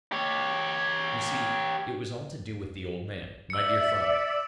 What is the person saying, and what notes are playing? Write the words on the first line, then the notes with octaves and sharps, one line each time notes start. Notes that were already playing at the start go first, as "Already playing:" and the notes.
You see, it was all to do with the old man, my dead father.
G4 C#5
D5 E5 E6 C#7